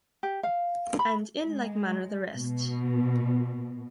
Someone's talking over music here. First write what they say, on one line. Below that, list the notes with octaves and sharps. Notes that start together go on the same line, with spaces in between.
And in like manner the rest.
G4
F5
B5
G#3
B2